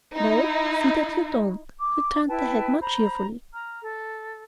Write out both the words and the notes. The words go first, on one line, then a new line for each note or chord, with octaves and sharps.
"Well, see that you don't," returned the head more cheerfully.
D#4 E4
D6
E4 B4 G5 A5
C5 A#5 B5
A#5 F6
A4